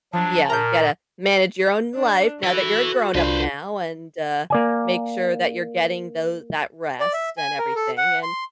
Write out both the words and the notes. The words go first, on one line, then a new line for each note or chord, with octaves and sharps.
Yeah, you gotta manage your own life now that you're a grown up now and, uh, make sure that you're getting though that rest and everything, and,
F3 F#3 D4 A5
A#2 A#4 A#5 G6
D4
E4 F#4 A4 B4
C2 D4 F4 B4 C5
A#3 D5 G#5
D5
E5
G#5
A#4
A4
F#5
C6